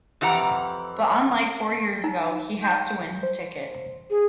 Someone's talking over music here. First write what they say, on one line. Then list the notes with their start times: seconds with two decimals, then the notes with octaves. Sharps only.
But unlike four years ago, he has to win his ticket.
0.21 F2 E3 G4 F#5 A#5
2.04 D#4 A#5
2.63 G5
3.23 C5
4.10 G#4